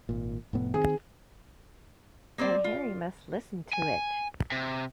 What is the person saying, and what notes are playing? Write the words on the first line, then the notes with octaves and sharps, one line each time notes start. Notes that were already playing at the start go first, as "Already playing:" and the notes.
And Harry must listen to it.
G#1 A#2
F1 A2 B3
D#3 C4 G#4
A#3 C4 C5 D5
F4
G#5
C3